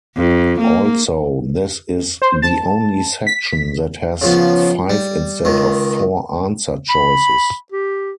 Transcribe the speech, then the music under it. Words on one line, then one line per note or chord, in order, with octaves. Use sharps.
Also, this is the only section that has five instead of four answer choices.
F2
A#3
C5
A5
B6
C#3 F3 B3
G3
C#2 D#3
B5
G4